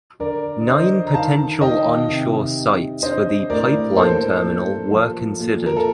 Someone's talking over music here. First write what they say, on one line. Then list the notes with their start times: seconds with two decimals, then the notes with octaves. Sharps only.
Nine potential onshore sites for the pipeline terminal were considered.
0.20 D3 A#4 D5
0.61 D5
0.67 D3 C5 D#5
1.07 A#5
1.14 D#3 F5 A5
1.61 D#3 D#5 G5
2.09 C3
2.56 C3
3.03 D4 C5 D#5
3.50 A2 A#4 D5
3.97 A#3 A4 C5
4.45 A#3
4.92 F3 F4 A4
5.39 A#2
5.66 A#4
5.77 A4